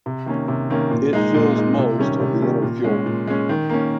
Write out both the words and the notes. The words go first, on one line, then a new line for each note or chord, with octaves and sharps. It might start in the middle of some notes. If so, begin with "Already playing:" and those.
It fills most of the inner fjord.
C3
D#3 A#3 C#4
C3
D#3 A#3 C#4
A#2
G#3 D#4
A#2
G#3 D#4
C3
D#3 G3 C#4
C3
D#3 G3 C#4
A#2
G#3 C#4
A#2
G#3 C#4
D#3
A#3 C#4